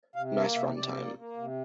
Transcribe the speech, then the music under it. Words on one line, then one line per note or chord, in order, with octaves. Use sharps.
Nice runtime.
C3 F5
A#3 E5
C3 E5
C3 D5
A#3
A#3
C3